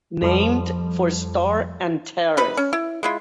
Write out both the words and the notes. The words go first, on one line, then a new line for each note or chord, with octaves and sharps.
Named for star Antares.
F2 F3 G3
C3 D#4 B4 B5
C#4
E4
G#3 E4 F4